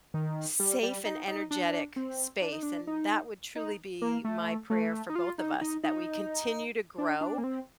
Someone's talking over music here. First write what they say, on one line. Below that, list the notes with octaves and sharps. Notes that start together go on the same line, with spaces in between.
safe and energetic space and that would truly be my prayer for both of us that we continue to grow,
D#3
G3
G3
D#4
D#4
D4
C4
D4
D#4
D4
D#4
D#4
A#3
A3
A3
D#4
F4
D#4
D#4
D#4
D4
D4
A#3
C4